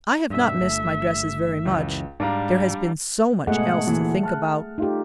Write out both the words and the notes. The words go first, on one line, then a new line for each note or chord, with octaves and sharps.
I have not missed my dresses very much--there has been so much else to think about.
G2 B2 E5
G1 A3
C#2 F#2 C#3 E3
G#2 G3 D4 F5 A#5
G#2 B2 A3 G#4 F#5
D2 A#2 E3
A5 F6 F#6
A3 D#4 F4 G4